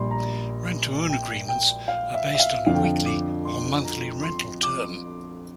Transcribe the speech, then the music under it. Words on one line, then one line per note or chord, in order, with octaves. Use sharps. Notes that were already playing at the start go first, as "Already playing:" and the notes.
Rent-to-own agreements are based on a weekly or monthly rental term.
Already playing: A#1 A#2 G3 C6
A#5
G5
G5
F5
E5
E5
F5
F2 D3 F3 F5
G5
F5
D6
C6
A#5
C6
D6